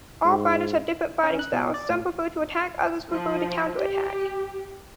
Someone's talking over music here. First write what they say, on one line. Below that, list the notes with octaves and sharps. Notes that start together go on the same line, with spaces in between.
All fighters have different fighting styles, some prefer to attack, others prefer to counterattack.
G#2
C#4
F#6
B2
D5
A2
F3
G4